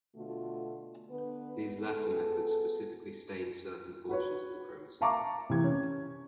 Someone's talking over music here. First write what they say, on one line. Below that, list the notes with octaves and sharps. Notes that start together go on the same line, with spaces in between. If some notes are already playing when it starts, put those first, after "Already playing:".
These latter methods specifically stain certain portions of the chromosome.
B2 D3 A3 F4 F#4
D3 B3 B4
B3 G#4 A4
F#4 B4 C#5
E5 F5 A5 A#5 C#6 D6
C3 E3 G#6
C#4